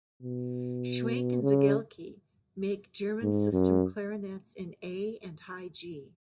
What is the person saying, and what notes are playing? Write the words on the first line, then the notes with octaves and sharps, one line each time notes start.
Schwenk and Seggelke make German system clarinets in A and high G.
B2
C#3
G#2
F#2